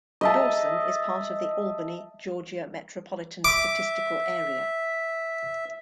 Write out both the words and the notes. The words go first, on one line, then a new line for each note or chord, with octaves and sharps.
Dawson is part of the Albany, Georgia Metropolitan Statistical Area.
D#5 E5 A5
E5 D6